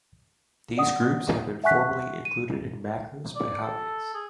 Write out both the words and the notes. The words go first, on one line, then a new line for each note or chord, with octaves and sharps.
These groups have been formerly included in macros by hobbyists.
D5 F#5 D#6
E5 F#5 G#5 C#6 F#6 B6
D#7
D5
A4
G#4